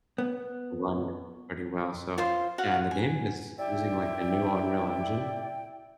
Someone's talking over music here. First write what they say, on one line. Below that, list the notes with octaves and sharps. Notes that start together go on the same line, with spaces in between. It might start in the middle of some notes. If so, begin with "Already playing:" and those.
run it pretty well, so yeah, and the game is using like the new Unreal Engine,
B3
F4 C5 C6
F#4 F5 F#5
G#5
E4 G4 D5 E5 G5